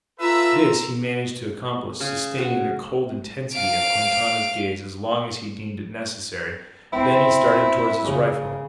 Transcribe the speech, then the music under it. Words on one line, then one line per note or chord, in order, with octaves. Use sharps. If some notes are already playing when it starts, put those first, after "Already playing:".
This he managed to accomplish, sustaining the cold intensity of Quintana's gaze as long as he deemed it necessary. Then he started toward his rifle.
F4 A4 B4 E5 A#5 E6
C#3
F#4
F5 D7
C4 E4
C#3